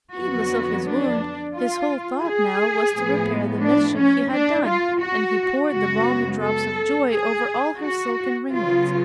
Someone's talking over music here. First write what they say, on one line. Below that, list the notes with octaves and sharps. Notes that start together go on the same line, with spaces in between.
Heedless of his wound, his whole thought now was to repair the mischief he had done, and he poured the balmy drops of joy over all her silken ringlets.
F2 D3 F#3 B3 F#4
D4
F4
G#4
A2 F3 B3
D4
C#4
D4
F4
F#4
F#2 C#3 G#3 B3 F#4
A4
G#4
F#4
C#3 F#3 B3 F4